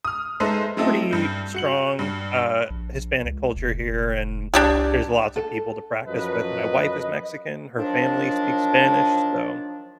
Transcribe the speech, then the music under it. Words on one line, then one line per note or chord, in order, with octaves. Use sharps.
pretty strong, uh, Hispanic culture here, and there's lots of people to practice with. My wife is Mexican. Her family speaks Spanish. So
D#6 F6
G#3 D#4 A4 B4 C5 E5
F#3 A3 C4 E4 A4 D#5
G2 G6
F#4 C#7 F#7
G2
A#1
C#2
F1
C2 D4 G4 G#4
A4
F#2 F3 B4 D#5
D#3 F3 F#3 D4